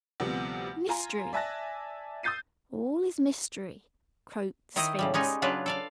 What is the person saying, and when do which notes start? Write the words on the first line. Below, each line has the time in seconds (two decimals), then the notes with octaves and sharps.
"Mystery, all is mystery," croaked the Sphinx.
0.20 D2 C3 F3 G3 B3
0.89 F4 G#5 A#5
1.33 D5 E5 G#5 A5 F#6 A#6
2.23 D#6 E6 G6 A6 C7 D#7
4.76 D#3 D#4 E4 D#5
4.99 A2 C#3 G3
5.14 G3 G#3 C#4 D#4
5.42 C#3 F#3 D4 F4 B4
5.66 A4 D5 F5